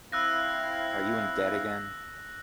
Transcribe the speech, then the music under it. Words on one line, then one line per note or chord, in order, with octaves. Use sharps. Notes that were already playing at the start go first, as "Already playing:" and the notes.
Are you in debt again?
C4 E4 F5 E6 F#6 A#6